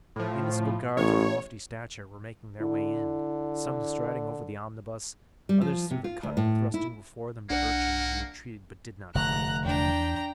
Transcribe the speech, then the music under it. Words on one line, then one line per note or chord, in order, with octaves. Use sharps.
Municipal guards of lofty stature were making their way in, some striding over the omnibus, others through the cut, thrusting before them the urchin, who retreated, but did not flee.
A2 F3
A1 C#5
D3 E4
G3
F3
C3
F4
D2
A2
E4
B1 A#3 D4 F#5
F1 D3 A3 A#5 F#6
E2 D4 G5 A#5